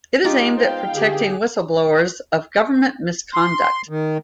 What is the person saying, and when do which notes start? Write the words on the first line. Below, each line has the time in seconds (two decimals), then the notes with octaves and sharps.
It is aimed at protecting whistleblowers of government misconduct.
0.24 G#3 D#4 F4 G4
0.57 B3 C5 F5 G5
0.94 D3 G4 G#4
3.34 C6
3.89 D#3